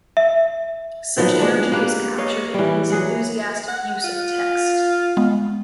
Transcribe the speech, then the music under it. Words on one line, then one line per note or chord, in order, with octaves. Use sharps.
Such energy is captured in his enthusiastic use of text.
E5
D#3 F3 F#3 B3
G#3 D4
A#3 G4 B4
C#5 D#5 F5
E3 G3
F#3 G#4 F#5
F#5
F4
G#3 B3